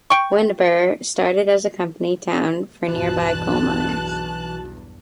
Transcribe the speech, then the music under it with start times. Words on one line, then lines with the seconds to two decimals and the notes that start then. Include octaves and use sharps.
Windber started as a company town for nearby coal mines.
0.10 G5 C#6
2.88 B1 E2 G2 E3 F#4 A5 F#6